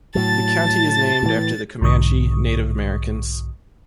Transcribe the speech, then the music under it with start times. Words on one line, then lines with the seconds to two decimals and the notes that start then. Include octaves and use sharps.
The county is named after the Comanche Native Americans.
0.15 A2 F#3 A5 A6
1.23 A2 E3
1.81 B1 G#2 D3 C#6 D#6